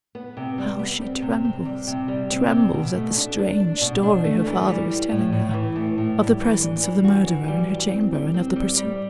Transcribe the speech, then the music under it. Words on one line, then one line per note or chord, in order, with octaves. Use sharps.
How she trembles!--Trembles at the strange story her father is telling her, of the presence of the murderer in her chamber, and of the pursuit.
B3
C3
G3
B3
C4
C3
C4
G3
C3
G3
C4
C3
B2
A3
D4
D4
D4
B2
D4
A3
E3
G3
G3
A2
A2
E3
A2
A2
G3
E3
D4
E3
F#4
E3
G3
G3
C4
G3
C4
G3
G3